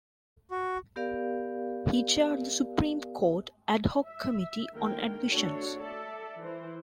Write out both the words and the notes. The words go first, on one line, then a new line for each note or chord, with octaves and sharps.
He chaired the Supreme Court Ad Hoc Committee on Admissions.
F#4
B3 G4 A#4 D5 F5
E5
D3 D#3 A#3 A#4 G5
A3 D4 F#4 A4 C#5
A4 D5 E5 A5
E3 C5